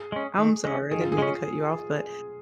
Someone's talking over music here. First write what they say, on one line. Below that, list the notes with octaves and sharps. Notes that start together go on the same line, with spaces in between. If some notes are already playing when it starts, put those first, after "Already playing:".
I'm sorry, I didn't mean to cut you off, but
Already playing: G#4
G#3 C#4
D#3
G#3 C#4
D#3 G#4
F4
G#4
G#3 C#4